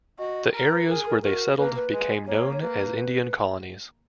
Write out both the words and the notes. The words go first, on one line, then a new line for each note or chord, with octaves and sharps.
The areas where they settled became known as Indian colonies.
F#4 D#5
A#4
B4
G#4 A#4
A#4
F#4 A#4
A#3 B4
B4
G#3
A#3 C#5
C#5
A#3 B4